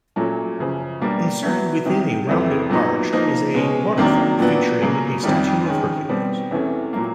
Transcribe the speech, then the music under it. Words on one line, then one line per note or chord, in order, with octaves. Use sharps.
Inserted within a rounded-arch is a waterfall featuring a statue of Hercules.
A#2 F#3 A3 C#4
F#2 C#3 F3
B2 G3 A#3 D4
F#3 B3 E4
E2 C3 D#3
F2 C3 E3 A3
A#2 F#3 B3 D#4
F3 A#3 D#4
B2 G#3 C#4
C3 D#3 F#3 A#3 D4
A#2 F#3 B3 D4
C#3 F#3 A#3
F2 C3 D#3 G3
D#3 G#3 C#4
B2 G3 C4
E2 C3 E3 A3 C#4
A#2 F#3 A#3